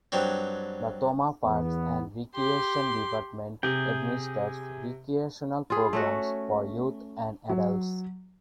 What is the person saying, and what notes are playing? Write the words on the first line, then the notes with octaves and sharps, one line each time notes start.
The Tomah Parks and Recreation Department administers recreational programs for youth and adults.
G2 F#3 C4
E2 B3
G4 C6
C3 G#4 G5
F4 G#4
A3 C#4 F#4
F#3